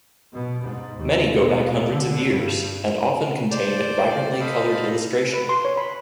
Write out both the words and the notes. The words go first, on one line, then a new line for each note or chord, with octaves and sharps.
Many go back hundreds of years and often contain vibrantly colored illustration.
B2
G#2
D#2
B2
D3
G2
C5 D5
A4 C5 D#5 F5 B5
B4
C6
C#5
B5